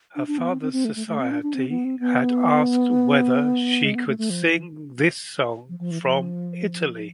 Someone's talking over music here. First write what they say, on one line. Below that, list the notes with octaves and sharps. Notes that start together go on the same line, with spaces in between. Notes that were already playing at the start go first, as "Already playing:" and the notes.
Her father's society had asked whether she could sing this song from Italy.
D4
D4
B3
C4
C4
C4
A3
A3
A3
C4
D4
D4
C4
B3
C4
B3
G#3
B3
A3
A3
F3
E3
F3
F3
E3
F3